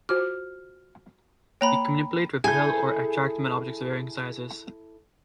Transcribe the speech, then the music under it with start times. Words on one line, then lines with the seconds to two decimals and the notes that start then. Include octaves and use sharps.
He can manipulate, repel or attract metal objects of varying sizes.
0.09 F4 F#4 C5 F6
1.61 A#3 C#5 G5 A#5 B5
2.44 E4 G#4 A4 G#5 G6